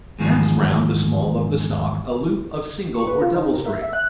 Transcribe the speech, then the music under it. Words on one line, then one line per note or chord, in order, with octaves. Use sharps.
Pass round the small of the stock a loop of single or double string.
E2 G#2 D#3 F3
C#6
B4
F4
D#4
A#4
E5
E5
F#6